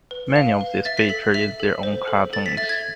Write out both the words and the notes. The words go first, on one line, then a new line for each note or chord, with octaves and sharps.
Many of these feature in their own cartoons.
B4
F5
B4
E5 A6
B6
A4 B6
E5 B6
A4
C5
A4
A4 A6
B6
E5 A6
G#6